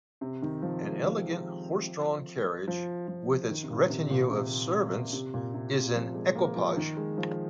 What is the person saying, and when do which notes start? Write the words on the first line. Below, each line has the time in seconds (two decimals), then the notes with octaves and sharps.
An elegant horse-drawn carriage with its retinue of servants is an "equipage".
0.21 C3
0.42 D#3
0.62 F3
0.82 G#3
1.03 F3
2.67 F3
3.08 F3
3.50 D#3
3.63 C3
3.70 A#2
3.90 C3
4.10 A#2
4.31 C3
5.13 C3
5.34 A#2
5.54 C3
5.74 C3
5.95 F3
6.15 G#3
6.36 A#3
6.56 F3
6.77 D#3
6.97 G#3
7.18 F3